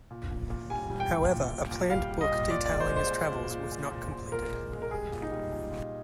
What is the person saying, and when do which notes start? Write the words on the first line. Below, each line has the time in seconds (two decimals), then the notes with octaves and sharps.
However, a planned book detailing his travels was not completed.
0.10 A#2
0.30 A#2
0.50 A#2
0.70 G3 G#5
0.90 G3
1.00 G5
1.11 G3
1.31 A#2
1.51 A#2
1.71 A#2
1.90 G3 F5
2.10 G3
2.21 D#5
2.31 A#2
2.50 A#2 D5
2.66 D5
2.71 G#3
2.80 C5
2.90 G#3
2.96 C5
3.11 A#2
3.31 A#2
3.51 A#2
3.72 A#2
3.91 A#2
4.11 A#2
4.32 A#2 A#4
4.51 G#3
4.72 G#3
4.82 A#4
4.91 G3 G#4
5.12 A#2
5.22 D#4
5.31 G3
5.52 A#2
5.71 A#2